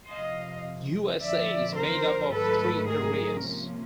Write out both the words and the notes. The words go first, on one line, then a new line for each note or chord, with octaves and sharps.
Usa is made up of three areas.
F2 C3 F3 D#5 F5
F2 D3 F3 D5 E5
A#4 C5
G#2 D#3 F#3 A3 A4 B4
G#4 A#4
C3 F3 A#3 C#4